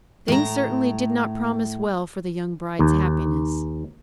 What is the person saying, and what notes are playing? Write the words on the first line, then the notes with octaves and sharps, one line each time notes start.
Things certainly did not promise well for the young bride's happiness.
A2 A#5
D#2